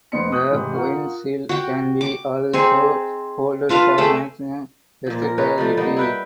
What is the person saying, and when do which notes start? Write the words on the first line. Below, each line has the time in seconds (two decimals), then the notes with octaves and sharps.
The windshield can be also folded for maximum versatility.
0.12 F1 B3 C4 D#5 C6 C#7
0.31 C#6 D#6 F#6 G6
0.51 G#2 C3 E3
0.74 F4 A#4 F#5 C#6
1.49 F#4 G5
2.01 D6
2.53 C4 D#4 G#4
3.69 D4 F4 B4 F5
3.98 A3 G#4 E5 G5
5.07 A#2 F3
5.22 A#4
5.38 D#4 A#4 B4 C#5
5.58 F3 G3 A3
5.77 G3 A#3 B3 D#4
5.97 E4 B4 G5